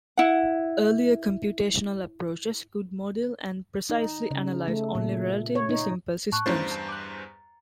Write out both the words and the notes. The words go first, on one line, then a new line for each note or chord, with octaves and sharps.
Earlier computational approaches could model and precisely analyze only relatively simple systems.
E4 F#5
D#4
C#3
A3
A#2
C#5
D#4
A2 A5 C#6 F#6
E2 G2 A3 C#4 E4 C5 A#5 A6
A5
D6 F#6